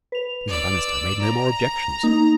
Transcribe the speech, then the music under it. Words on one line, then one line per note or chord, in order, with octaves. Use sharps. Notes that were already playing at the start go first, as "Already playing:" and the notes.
William Bannister made no more objections.
B4 F7
D5 E6
A#5
A#3 D#4